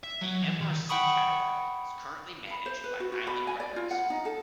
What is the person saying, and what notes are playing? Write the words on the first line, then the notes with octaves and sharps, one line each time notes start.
The EmArcy catalogue is currently managed by Island Records.
E5
F#3
E3
D#3
F#5 G5 B5 C#6 D#6
B5
C5
B4
F#4
F#4
B5
G#5
D5
F4
F#5
D#4
A4